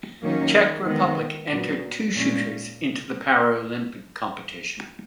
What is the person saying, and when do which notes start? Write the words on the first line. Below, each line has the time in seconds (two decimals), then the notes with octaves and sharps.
Czech Republic entered two shooters into the Paralympic competition.
0.21 D#3 F#3 A#3 C#4
0.85 D#3 G#3 B3
1.48 A#2 F#3 B3
2.13 A#2 G#3 C#4